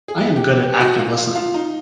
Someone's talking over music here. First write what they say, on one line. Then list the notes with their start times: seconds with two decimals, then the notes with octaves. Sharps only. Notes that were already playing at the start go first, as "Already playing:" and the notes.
I am good at active listening.
0.08 G#4
0.36 G4
0.63 G4
0.81 F#4
0.99 F4
1.18 F4
1.36 F4
1.54 D#4